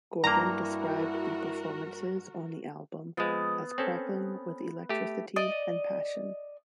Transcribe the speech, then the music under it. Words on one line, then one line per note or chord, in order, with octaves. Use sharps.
Gordon described the performances on the album as "crackling with electricity and passion".
G2 A#3 E4 F#4 A#4 A#5
F3 G#3 B3 F5
C4 C#4 A4
A3 G4
D5 D#5